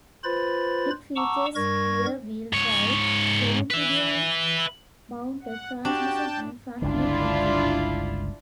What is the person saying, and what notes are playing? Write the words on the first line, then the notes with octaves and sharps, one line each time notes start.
It features rear wheel drive, longitudinal-mounted transmission and front-mid engine.
F4 B4 C5 B5 A6
F#5 A5 A#5 C#6 D6 E6
G2 G3 A#4 C#6 G#6 A#6
G#2 C#5
B4 E5
F#5
D4 F#4 G4 G5 A5
G1 C#2 D3 D4 E4 F4